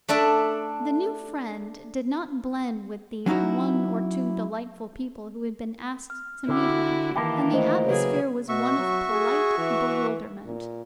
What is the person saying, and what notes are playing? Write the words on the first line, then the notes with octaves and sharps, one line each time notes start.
The new friend did not blend with the "one or two delightful people" who had been asked to meet her, and the atmosphere was one of polite bewilderment.
A3 D4 D5 E5
F#3 C#4 D#4 E4 F#4
F6
D3 E4 F#4 G4
D#3 E3 A#3 E4 G4 A5
A3 C5 D#5
C#3 F#3 G#4 B4 C#5
B2 F#4 E5 C#6
F#3
G#4
E3
A#2